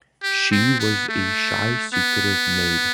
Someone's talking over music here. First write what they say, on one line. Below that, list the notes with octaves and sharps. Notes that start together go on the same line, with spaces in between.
She was a shy, secretive maid.
G4
C4
B3
A3
B3